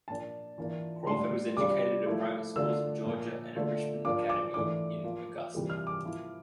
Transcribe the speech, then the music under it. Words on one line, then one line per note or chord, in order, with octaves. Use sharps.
Crawford was educated at private schools in Georgia and at Richmond Academy in Augusta.
A#2 F3 A#3 D4 A5
E3 A#3 D4 F4
A2 G3 D4 F4 C6
C3 G3 D4 F4 D6
F3 A3 E4
D3 A3 D4 F4 E6
A#2 F3 A#3
D3 A3 D4 F4
F3 A#3 D4 F4 D6
D6
E3 A3 D4 F4 D6
F3 A#3 F4
C3 E3 G3 A#3
F6
D6
F3 A#3 E4